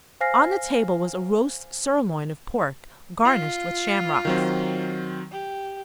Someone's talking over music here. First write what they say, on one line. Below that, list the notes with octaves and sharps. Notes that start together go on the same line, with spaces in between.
On the table was a roast sirloin of pork, garnished with shamrocks.
C5 F5 G#5 F6 A#6 C7
F4
D#3 F#3 C4
G4